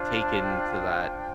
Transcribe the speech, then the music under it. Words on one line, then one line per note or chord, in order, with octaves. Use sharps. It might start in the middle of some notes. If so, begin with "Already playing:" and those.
take into that
Already playing: D4 F4 C5
A5
G5
G5